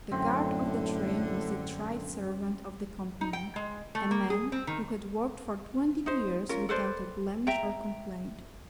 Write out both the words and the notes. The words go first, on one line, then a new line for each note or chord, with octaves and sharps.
The guard of the train was a tried servant of the company--a man who had worked for twenty-two years without a blemish or complaint.
F#2 A2 D3 C4
D#4
G5
G#3
A3
A#3
G#4
C4
D#3
D#4 C5
C#4 F4 A#4
A4 B4 C5 D5
E5 G5 A#5